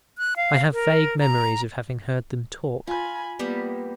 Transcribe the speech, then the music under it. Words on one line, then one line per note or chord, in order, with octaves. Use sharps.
I have vague memories of having heard them talk.
F#6
F5
A#4
A#5
F4 G#5 B5
G3 A#3 B3 G4